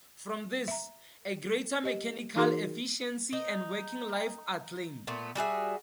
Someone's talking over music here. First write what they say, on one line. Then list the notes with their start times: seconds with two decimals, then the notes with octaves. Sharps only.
From this, a greater mechanical efficiency and working life are claimed.
0.68 E5 A#5
1.84 G4 D#5
2.36 E3 D#4 F#4 G#4 A#4 C6
3.33 D#4
5.07 A#2 A3 B3
5.35 G3 F#4 G#4 E5